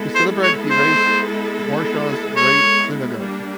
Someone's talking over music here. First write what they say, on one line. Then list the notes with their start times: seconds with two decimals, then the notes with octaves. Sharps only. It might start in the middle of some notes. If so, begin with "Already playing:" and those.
To celebrate he razed Warsaw's Great Synagogue.
Already playing: G#3 B3 E4 A4
0.15 C5
0.43 C#5
0.71 C5
2.36 C#5
3.19 G3 A#3 D4